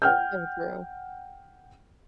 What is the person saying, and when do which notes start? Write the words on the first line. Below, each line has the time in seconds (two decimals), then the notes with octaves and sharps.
So true.
0.02 F#5 G5 F6 G6